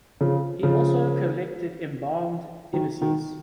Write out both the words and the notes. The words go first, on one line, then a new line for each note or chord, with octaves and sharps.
He also collected embalmed ibises.
C#3 F3
C#3 F3
D#3 F#3
B2 D#3